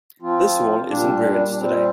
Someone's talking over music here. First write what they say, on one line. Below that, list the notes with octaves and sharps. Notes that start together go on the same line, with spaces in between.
This wall is in ruins today.
F3 C4 F4
A#2 G3 D4
A#2 G3 C4